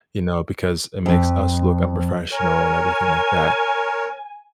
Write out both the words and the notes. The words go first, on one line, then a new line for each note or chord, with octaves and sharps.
you know, because it makes us look unprofessional," and everything like that,
F2
A#4 C#5 G#5